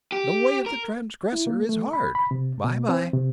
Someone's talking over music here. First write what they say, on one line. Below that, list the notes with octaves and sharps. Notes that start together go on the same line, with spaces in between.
The way of the transgressor is hard. By-by!
G4
A#4
E4
A#3
A3
B5
B5
C3
B2
C4
C3